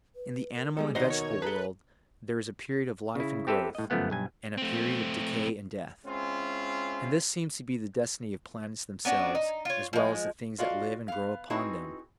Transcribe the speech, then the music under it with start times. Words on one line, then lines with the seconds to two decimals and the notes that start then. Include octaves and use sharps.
In the animal and vegetable world there is a period of life and growth, and a period of decay and death; and this seems to be the destiny of planets themselves as well as the things that live and grow upon them.
0.15 B4
0.55 A#4
0.77 G3 G#3 B3 A4
0.95 D#2 B2 D#4 C5 D5 D#5 F#5
1.10 A#4 C#5
1.42 G#4 A4 B4 A5 A#5 F#6
3.15 C#3 E4
3.47 C4 G4 A4 B4 E5
3.75 A2 D#5
3.90 G1 F#2 F3 A3 B3 F#5
4.10 B1 G2 G#5
4.57 A3 C4
6.06 G#3 C4 C#4 E4 F4
9.05 B3 C#4 D4 F#4
9.35 D#4
9.65 F4 C#5
9.93 F3 G#3
10.58 F4 F#4 D5 D#5 F5
11.08 B3 F5
11.50 C4 D#4 E4 F#4 G#4 B4